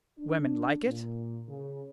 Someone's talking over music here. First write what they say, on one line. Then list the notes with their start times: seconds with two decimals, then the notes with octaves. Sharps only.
"Women like it."
0.18 D4
0.86 A#2
1.49 C#3